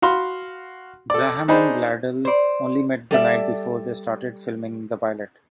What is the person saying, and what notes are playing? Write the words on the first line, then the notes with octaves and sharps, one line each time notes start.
Graham and Bledel only met the night before they started filming the pilot.
F#4 F5 B5 C6
A4 D5
D4 D#4 G#4 C5 B5
C5 D5
G3 A4 D5 E5